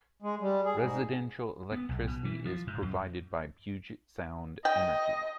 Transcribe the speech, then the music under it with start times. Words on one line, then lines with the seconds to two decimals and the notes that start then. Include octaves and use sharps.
Residential electricity is provided by Puget Sound Energy.
0.22 G#3
0.41 G3
0.65 G#4
0.79 G#2
1.72 B3
1.89 B1
2.07 B2
2.25 E3
2.45 F3
2.67 G#2
2.82 F#2
4.65 D#5 G5